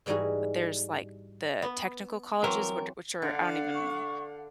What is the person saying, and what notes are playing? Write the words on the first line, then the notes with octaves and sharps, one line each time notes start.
but there's, like, the technical colleges, which a which are, I don't even
G#2 E3 G3 D#4 F#4 G#4
B3
E3 F#3 C4 A#4
D3 F5 F#5
C#6